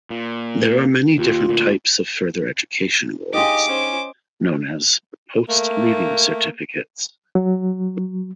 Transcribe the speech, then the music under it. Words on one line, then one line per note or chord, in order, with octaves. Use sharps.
There are many different types of further education awards, known as Post Leaving Certificates.
A#2
D#2 F4
D2 A#2
D#4 F4 G4 G#4 D#5 D6
C#4 C5
A3 A#3
F#3